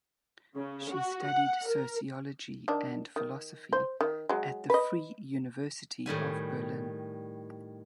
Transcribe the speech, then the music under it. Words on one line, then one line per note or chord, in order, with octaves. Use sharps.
She studied sociology and philosophy at the Free University of Berlin.
C#3
F#4
F#5
A#4
D#3 D4
D#3
C5
D#3
F#3 G#3
B4 D#5
A2 D#3 G3 G#5